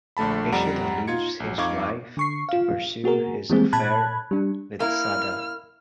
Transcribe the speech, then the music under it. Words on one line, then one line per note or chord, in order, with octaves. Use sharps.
Ishida leaves his wife to pursue his affair with Sada.
A#1 D3 A3 A5 B5
F2 G3 F#5 A#5 D7
D#4 F4 G#6 C#7
A#1 F#3
F2 D#4 F5 C#6 D6 G#6
D3 C#6 C7
F4 F5
A#3 F#4 G#4 A#4
E3 G3 G#3 A#3 C4 G#4
A#2 A5 B5 F#6 G#6
G3 D4
A#3 E4 F6